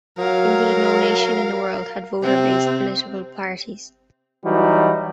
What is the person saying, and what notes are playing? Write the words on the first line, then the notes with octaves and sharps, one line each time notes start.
Indeed, no nation in the world had voter-based political parties.
F#3 A#4 F5
C3 C4
E3 F#3 G3 D#4 F#4